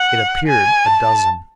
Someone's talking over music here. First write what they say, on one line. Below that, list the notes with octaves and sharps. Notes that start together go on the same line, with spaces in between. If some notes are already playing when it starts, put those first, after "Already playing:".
It appeared a dozen.
Already playing: F#5
G#5
A5